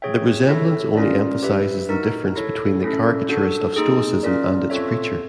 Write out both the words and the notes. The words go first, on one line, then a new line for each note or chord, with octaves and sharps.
The resemblance only emphasizes the difference between the caricaturist of Stoicism and its preacher.
G#4 C#5 E5 G5
E4 A4 C#5 E5
C#4 F4 A#4 D5
G4 B4 E5
D#4 F#4 A#4
E4 A4 C#5
A3 C#4 E4 A4
D4 F#4 A4
A#3 D#4 G#4
C#4 F4 A#4 D5
C4 F4 A4 C#5 E5